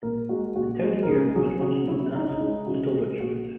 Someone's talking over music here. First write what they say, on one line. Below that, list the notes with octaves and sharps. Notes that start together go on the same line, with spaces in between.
The town here was once known as 'Little Richmond'.
A#2 A#4
G#3 F#4
A#2 F#4
G#3
A#4
C#3 G#4
F#3 G#4
C#3 F#4
F#3 E4
C#3 D#4
C#4
D#4
G#3 E4
C#3 F#4
G#3 G#4
A#2 F#4